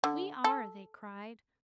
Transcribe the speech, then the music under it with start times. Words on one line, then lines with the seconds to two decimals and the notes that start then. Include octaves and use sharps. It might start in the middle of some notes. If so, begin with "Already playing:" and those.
"We are!" they cried.
0.04 D3
0.44 A4